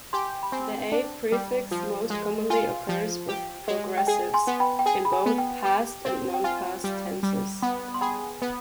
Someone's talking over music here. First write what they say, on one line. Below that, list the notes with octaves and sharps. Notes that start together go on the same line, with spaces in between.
The a-prefix most commonly occurs with progressives, in both past and non-past tenses.
G4 G#5 C6
B5
C4 G#5
D4
G3
F3
G#3
F4 G#5
F3
G4
G#3
G5
G#4 G#5
G#5 C6
B3
G5 B5
G5
G#4 G#5
B5
G#5
B3
G5
G4
C4
G5
F4 G#5
G3
G3
B3
C6
G#4 G5 B5
B3